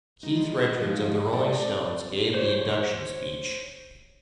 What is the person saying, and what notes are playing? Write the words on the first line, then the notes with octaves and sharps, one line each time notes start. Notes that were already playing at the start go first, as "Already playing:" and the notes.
Keith Richards of the Rolling Stones gave the induction speech.
G3 G#3 D#4
F3 D#4
C4 A4 D5
C5 C#5